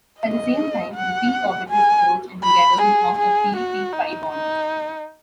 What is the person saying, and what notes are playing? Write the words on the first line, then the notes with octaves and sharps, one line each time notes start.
At the same time the p-orbitals approach and together they form a p-p pi-bond.
D#5
F#5
G#5
B5
G#4
G#4
F#4
D#4
D#4